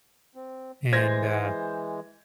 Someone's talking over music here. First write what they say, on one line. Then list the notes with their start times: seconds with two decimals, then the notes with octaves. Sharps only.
And, uh.
0.35 C4
0.92 E3 G#3 C5 G#6 A#6